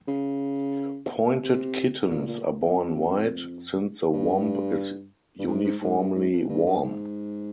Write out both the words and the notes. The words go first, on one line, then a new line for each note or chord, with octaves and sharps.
Pointed kittens are born white, since the womb is uniformly warm.
C#3
C3
A#2
A#2
F2
G2
G2
G#2
G#2
G#2
G2
G#2
F2
G2
G2
G#2